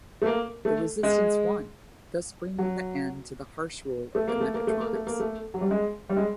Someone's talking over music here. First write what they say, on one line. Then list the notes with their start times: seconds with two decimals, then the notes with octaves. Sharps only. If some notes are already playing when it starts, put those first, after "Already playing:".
The Resistance won, thus bringing the end to the harsh rule of Mechatronics.
0.22 A3
0.26 A#3
0.65 A3
1.03 G#3
2.59 F#3
4.15 A3
4.28 A#3
4.40 A3
4.54 A#3
4.67 A3
4.80 A#3
4.93 A3
5.07 A#3
5.20 A3
5.54 F#3
5.61 G3
5.71 G#3
6.09 G3
6.17 G#3